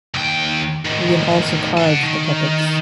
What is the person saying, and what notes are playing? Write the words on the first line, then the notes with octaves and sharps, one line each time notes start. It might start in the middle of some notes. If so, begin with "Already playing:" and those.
William also carved the puppets.
D#2 G5
A2 D#3
F#5 A5
D#3